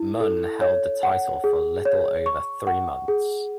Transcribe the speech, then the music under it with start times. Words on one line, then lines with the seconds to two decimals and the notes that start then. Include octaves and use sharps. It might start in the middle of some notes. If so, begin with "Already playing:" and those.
Munn held the title for a little over three months.
Already playing: E4
0.21 A4
0.61 C#5
1.03 F#5
1.44 G#4
1.85 C#5
2.26 C#6
2.67 F#5
3.08 G#4